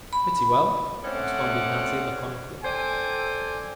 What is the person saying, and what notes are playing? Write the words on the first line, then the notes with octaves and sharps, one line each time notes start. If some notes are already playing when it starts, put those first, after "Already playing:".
"Pretty well," responded Natty laconically.
B5
A3 C4 C#4 C5 D5 F#5
A4 C5 D5 G5 G#5